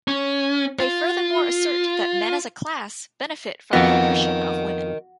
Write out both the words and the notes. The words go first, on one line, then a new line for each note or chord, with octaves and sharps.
They furthermore assert that men as a class, benefit from the oppression of women.
C#4
F4
F2 B3 F#4 A#4 D#5